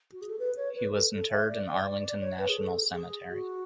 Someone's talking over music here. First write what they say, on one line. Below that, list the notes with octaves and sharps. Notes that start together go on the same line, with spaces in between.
He was interred in Arlington National Cemetery.
F#4
G#4
A4
B4
C#5
B4
A4
A4
E5
D5
D5
D5
D5
C#5
B4
G#4
A4
G#4
F#4